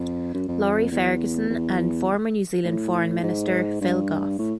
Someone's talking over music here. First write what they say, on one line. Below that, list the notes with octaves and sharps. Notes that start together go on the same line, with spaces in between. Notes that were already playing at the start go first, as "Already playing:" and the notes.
Laurie Ferguson and former New Zealand Foreign Minister Phil Goff.
Already playing: F2
F#2
F2
E2
E2
A2
G#2
G2
A2